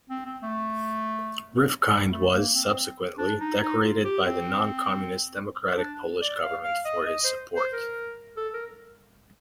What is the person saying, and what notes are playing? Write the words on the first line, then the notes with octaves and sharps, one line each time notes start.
Rifkind was, subsequently, decorated by the non-communist democratic Polish Government for his support.
C4
C4
A3
G3
A3
A#3
C4
D4
D#4
D#4
F4
G4
C4
D4
D5
F5
F5
D#5
D#5
C5
C5
A#4
A4
A#4